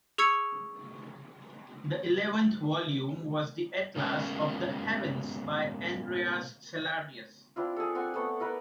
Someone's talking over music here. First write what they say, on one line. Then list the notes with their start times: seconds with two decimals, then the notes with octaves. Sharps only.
The eleventh volume was the Atlas of the Heavens by Andreas Cellarius.
0.18 G#4 C#6 E6 G#6 C#7
3.96 B2 G#3 A#3 C#4
7.56 C4 D4 E4 F4
7.77 G#4 A4
7.95 C4 F#5 G#5
8.14 A3 B3 A4
8.40 E4 A#4 B4